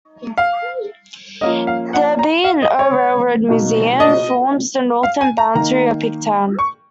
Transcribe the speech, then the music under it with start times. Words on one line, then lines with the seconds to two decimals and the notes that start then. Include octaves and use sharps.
The B and O Railroad Museum forms the northern boundary of Pigtown.
0.38 F5
1.41 F3 A#3 C#4 D#5
1.67 F5
1.93 F#5
2.19 A#5
2.44 F5
2.62 D#5
2.79 C#5
3.48 B2 A#3 D#4
4.00 D#5
5.03 F5
5.21 G#5
5.38 A#5
5.55 D#3 A#3 D#4 A#5
6.59 C#6